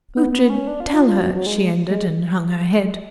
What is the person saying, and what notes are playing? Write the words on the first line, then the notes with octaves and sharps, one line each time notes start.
"Ughtred--tell her," she ended, and hung her head.
B3
B3
C#4
D4
F4
D4
F4
F4
F#3
F#3
G#3
G#3